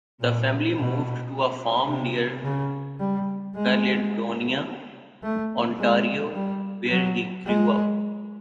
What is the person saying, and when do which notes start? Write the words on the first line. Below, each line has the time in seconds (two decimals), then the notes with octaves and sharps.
The family moved to a farm near Caledonia, Ontario where he grew up.
0.21 A#2
0.77 B2
1.88 C3
2.44 C#3
3.00 G3
3.55 G#3
5.23 A3
5.79 G#3
6.34 G3
6.90 F#3
7.46 G#3